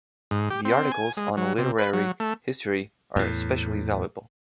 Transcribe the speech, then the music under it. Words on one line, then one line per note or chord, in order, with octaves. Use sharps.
The articles on literary history are especially valuable.
G#2
G4
C4
G#5
G#3
F#3
C3
B4
F#3
A3
E2 A2